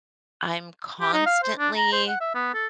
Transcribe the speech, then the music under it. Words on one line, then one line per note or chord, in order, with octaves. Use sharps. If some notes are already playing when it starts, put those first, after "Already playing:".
I'm constantly
G4
D#4
F5
C5
D4
A#5
C5
F#5
E5
B3
A4